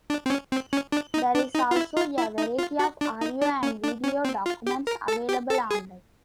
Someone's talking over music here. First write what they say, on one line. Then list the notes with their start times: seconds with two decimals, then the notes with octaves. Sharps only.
There is also a variety of audio and video documents available online.
0.10 D4
0.26 C4
0.30 C#4
0.52 C4
0.73 C#4
0.92 D4
1.14 D#4
1.35 D4
1.55 D#4
1.71 F4
1.76 E4
1.97 F4
2.18 E4
2.38 D#4
2.59 F4
2.79 F#4
3.01 D4
3.21 D#4
3.42 D4
3.63 C#4
3.84 D4
4.04 C#4
4.25 C4
4.46 F4
4.67 G4
4.87 A#4
5.08 A4
5.29 G4
5.50 A4
5.71 G#4